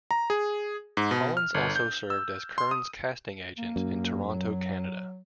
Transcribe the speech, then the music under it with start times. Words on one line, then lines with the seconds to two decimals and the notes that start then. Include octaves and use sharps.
Collins also serves as Kern's casting agent in Toronto, Canada.
0.11 A#5
0.30 G#4
0.97 G#2
1.11 B2
1.37 F6
1.54 G1
1.76 G6
2.10 E6
2.58 C6
2.71 D#6
3.58 A#3
3.76 F#2
4.30 F#3